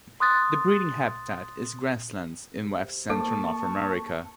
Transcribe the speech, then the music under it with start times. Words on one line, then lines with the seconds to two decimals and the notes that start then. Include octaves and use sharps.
The breeding habitat is grasslands in west-central North America.
0.20 C6 D#6 F#6 A6
3.10 A#3 A4 A5 C#6